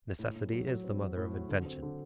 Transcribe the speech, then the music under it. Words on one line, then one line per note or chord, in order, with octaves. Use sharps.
Necessity is the mother of invention.
A2
A2
F#3
F#3
C4
F#3
A2
F#4
D3
C4
D3